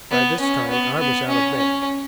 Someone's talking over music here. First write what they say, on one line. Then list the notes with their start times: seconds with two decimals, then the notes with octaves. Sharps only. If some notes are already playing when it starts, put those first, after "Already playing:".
By this time I was out of bed.
0.11 B3
0.40 C#4
0.70 B3
0.99 B3
1.28 C#4
1.57 C#4